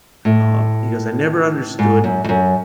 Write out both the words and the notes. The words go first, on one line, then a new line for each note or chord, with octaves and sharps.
um, he goes, "I never understood
A2
G#2
F#2
F2
F#2